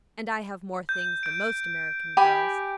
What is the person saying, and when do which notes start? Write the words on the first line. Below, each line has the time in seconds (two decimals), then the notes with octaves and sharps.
And I have more things than most American girls.
0.89 G6
1.23 G6 D7
2.17 G4 G#5 B5